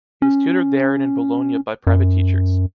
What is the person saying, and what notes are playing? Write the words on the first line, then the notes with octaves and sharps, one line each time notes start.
He was tutored there and in Bologna by private teachers.
C#4
F#2